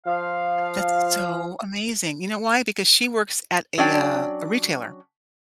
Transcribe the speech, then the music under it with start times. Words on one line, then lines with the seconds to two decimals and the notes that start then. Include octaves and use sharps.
That's so amazing. You know why? Because she works at a, uh a retailer,
0.06 F3 F5
3.78 F#3 C#4 D4 D5 G5